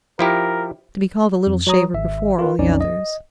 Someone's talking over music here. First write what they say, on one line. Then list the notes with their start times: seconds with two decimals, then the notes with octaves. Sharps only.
To be called "a little shaver" before all the others!
0.19 F3 E4 G4 A#4
1.47 F2
1.67 F#3 C#5 A#5 D#6
1.94 G#1 E5
2.39 F4 A#4 B4
2.59 B1 F2 C#4 D#4 D5
2.81 D#5